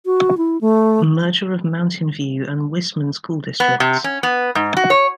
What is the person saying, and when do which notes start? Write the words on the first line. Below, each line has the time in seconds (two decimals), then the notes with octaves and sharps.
Merger of Mountain View and Whisman School Districts.
0.06 F#4
0.38 E4
0.61 A3
3.60 B3
3.80 C3
4.04 C#4
4.23 B3
4.55 G#2
4.77 F#4
4.90 C#5